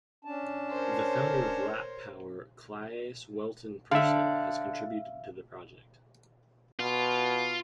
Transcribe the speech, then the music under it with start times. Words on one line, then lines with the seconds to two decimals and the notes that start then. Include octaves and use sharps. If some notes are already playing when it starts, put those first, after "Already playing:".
The founder of Lap Power Claes Wellton-Persson has contributed to the project.
0.25 C#4 D4 A5
0.71 A#4 C5 C#5
3.91 D3 D4 E5 F5
6.80 B2 F4